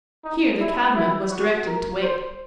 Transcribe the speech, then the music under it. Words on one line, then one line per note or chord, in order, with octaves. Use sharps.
Here the cabman was directed to wait.
D#4
E4
E4
F#4
A#4
C5